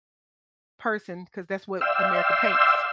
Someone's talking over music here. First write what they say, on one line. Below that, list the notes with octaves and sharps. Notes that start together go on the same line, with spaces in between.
person 'cause that's what America paints
D5 E5 F5 G5 C6 E6